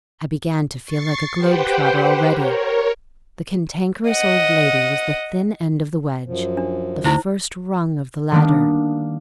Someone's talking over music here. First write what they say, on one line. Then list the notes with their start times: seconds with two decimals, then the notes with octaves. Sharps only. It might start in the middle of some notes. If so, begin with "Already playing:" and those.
I began to feel like a globe-trotter already; the Cantankerous Old Lady was the thin end of the wedge--the first rung of the ladder!
0.86 C#6 A6 C7
1.38 G4 B4 C5 F#5 G5
2.26 A#4 C#5
4.10 D#5 F#5
6.26 F#2 F3
6.57 D4
7.04 D2 D#4 E4 C5
8.32 D#3 G3 A#3 B3 D4